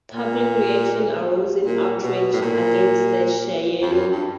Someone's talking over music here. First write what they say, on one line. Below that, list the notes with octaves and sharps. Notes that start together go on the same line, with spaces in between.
Public reaction arose in outrage against the Cheyenne.
A#2
A#2
B2
A2
A#2
F2
F#2
G2